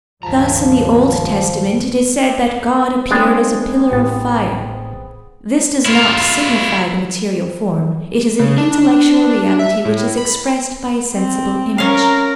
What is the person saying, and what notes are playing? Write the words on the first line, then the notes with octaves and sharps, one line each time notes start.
Thus in the Old Testament it is said that God appeared as a pillar of fire: this does not signify the material form; it is an intellectual reality which is expressed by a sensible image.
G1 C#2 G2 D#3 F3 A5 A#5
G#3 B3 C4 D4 G#4
A1 A2 A6
E4 F4
C#3
D4
E5
A2
B5
C4
C#4 A#4 F5